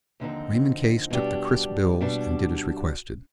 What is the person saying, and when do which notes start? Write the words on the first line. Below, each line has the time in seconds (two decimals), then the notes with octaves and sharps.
Raymond Case took the crisp bills and did as requested.
0.20 D#2 D3 F3 C4 D#4
1.10 B2 G3 D4 G4
2.01 B2 G3 D4